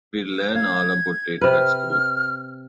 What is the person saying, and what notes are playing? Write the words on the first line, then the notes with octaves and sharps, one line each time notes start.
We learnt all about it at school.
F5 G#6
C3 B4 F6